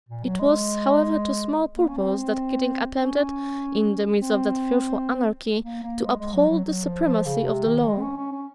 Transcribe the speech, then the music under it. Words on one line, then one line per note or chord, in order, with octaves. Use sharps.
It was however to small purpose that Keating attempted, in the midst of that fearful anarchy, to uphold the supremacy of the law.
A#2
F#3
G#3
A#3
C#4
C4
C4
C#4
C4
A#3
A#3
G#3
G#3
F#3
F#3
F#3
F3
F3
C#3
C3
D#3
G#3
C4
C#4
C#4
C#4